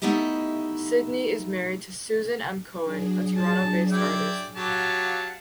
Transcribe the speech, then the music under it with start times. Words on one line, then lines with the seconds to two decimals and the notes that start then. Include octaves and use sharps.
Sidney is married to Susan M. Cohen, a Toronto-based artist.
0.02 A3 B3 D#4 E4 G4 D#5
2.82 F#3 D4 G#4
3.37 A5
3.91 E4 D5 G5
4.55 F#3 G4 F5 F#5 A5